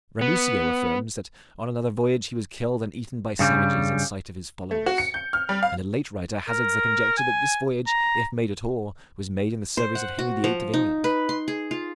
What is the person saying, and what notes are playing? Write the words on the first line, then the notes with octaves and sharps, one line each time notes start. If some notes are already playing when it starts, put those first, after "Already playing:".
Ramusio affirms, that, on another voyage, he was killed and eaten by savages, in sight of his followers; and a late writer hazards the conjecture that this voyage, if made at all, was made in the service of Henry the Eighth of England.
B3
G2 C#3 G3
A3
F#4
C#7
G6
F6
G3
F5
A#4
G#5
A#5
C5
F#5
F#4
F3
D#4
B4
C6
G#4
F4